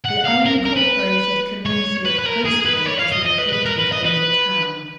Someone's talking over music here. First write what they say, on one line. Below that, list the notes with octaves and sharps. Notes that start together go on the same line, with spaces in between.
The unincorporated community of Postville is located in the town.
F#5
F5
A#4
A#4
B4
C#5
B4
B4
A#4
G#4
B4
B4
C#5
F5
D#5
D#5
B4
B4
A#4
B4
D#5
B4